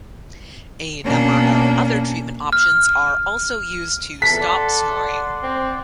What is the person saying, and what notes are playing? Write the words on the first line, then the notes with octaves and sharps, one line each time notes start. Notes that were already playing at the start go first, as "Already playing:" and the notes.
A number of other treatment options are also used to stop snoring.
B2 A#3 C#4 D4
F6
E2 E3 A4 A#5 B6
D5 F#5 C6
C4